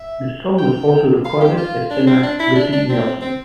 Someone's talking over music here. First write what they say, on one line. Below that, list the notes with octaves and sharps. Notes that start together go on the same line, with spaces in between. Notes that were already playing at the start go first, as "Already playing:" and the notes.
The song was also recorded by singer Ricky Nelson.
Already playing: E5
G5
F5
G4
F4
D4
C4
D4
E4
D4
D4
C4
C4